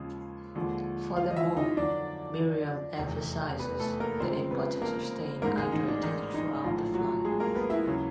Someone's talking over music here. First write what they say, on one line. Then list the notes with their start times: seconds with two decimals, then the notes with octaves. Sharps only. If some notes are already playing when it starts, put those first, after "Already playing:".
Furthermore, Miriam emphasizes the importance of staying hydrated throughout the flight.
Already playing: D#2 C#3 F3 G#3
0.55 D#2 D3 F3 G#3
1.16 F4 F5
1.30 D#5
1.36 E4 E5
1.57 D#4 D#5
1.77 F2 D3 F#3 D4 D5
2.98 F1 E2 C3
3.59 B3 B4
3.80 A3 A4
4.00 A#3 A#4
4.20 F#1 F2 C#3 F3 G#3 C4 C5
4.51 B3 B4
4.81 A#3 A#4
5.42 A1 G#2 D#3 G#3 A#3 A#4
5.57 G#3 G#4
5.72 D#3 D#4
5.88 D4
6.03 D#3 D#4
6.33 D#3 D#4
6.64 A#1 A2 F3 F#3 F4
6.94 F#3 F#4
7.25 G#3 G#4
7.40 A#3 A#4
7.55 B3 B4
7.70 E4 E5
7.85 D#2 C#3 F#3